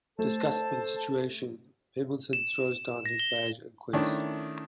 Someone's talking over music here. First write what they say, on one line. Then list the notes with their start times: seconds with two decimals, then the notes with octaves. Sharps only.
Disgusted with the situation, Pembleton throws down his badge and quits.
0.19 A3 A4 C5 A5
2.33 E7
3.06 A#6
3.19 G7
3.93 D#3 A3 C#4 D4 E4